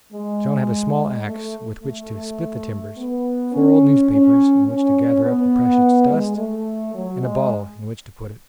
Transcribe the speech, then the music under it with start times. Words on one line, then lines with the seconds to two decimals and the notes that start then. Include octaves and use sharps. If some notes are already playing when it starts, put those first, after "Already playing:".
John had a small axe with which to split the timbers, four old newspapers in which to gather up the precious dust, and a bottle in which to put it.
0.13 G#3
1.26 A3
1.83 A3
2.97 B3
3.53 C#4
4.11 C#4
4.67 C#4
5.24 B3
6.10 G#3
6.38 A3
6.94 F#3
7.23 G#3